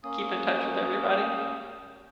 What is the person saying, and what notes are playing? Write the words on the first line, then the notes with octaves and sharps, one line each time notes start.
Keep in touch with everybody.
A#3 C#4 D#6